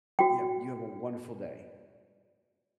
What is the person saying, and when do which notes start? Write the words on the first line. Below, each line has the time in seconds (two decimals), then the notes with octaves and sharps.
Yep, you have a wonderful day.
0.19 F#4 G5